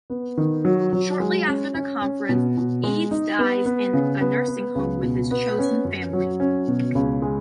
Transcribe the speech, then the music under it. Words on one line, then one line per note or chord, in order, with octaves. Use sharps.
Shortly after the conference, Eads dies in a nursing home with his chosen family.
B3
D#3
F#3
F#3
G#3
C#4
C#4
C#4
B2
B2
G#3
D#4
B3
B3
C#3
B3
B3
C#2
B2
B3
C#4
F#2
F#3
C#4
B2
C#2
G#3